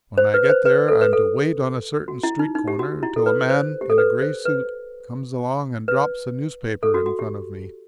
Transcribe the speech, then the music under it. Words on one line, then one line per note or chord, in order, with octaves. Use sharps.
When I get there I'm to wait on a certain street corner till a man in a gray suit comes along and drops a newspaper in front of me.
C5
B4
B4
C5
B4
A4
B4
A4
F#4
E4
D#4
D#4
G4
F#4
E4
A4
B4
C5
G4
A4
B4
C5
B4
B4
A4
F#4
F#4
G4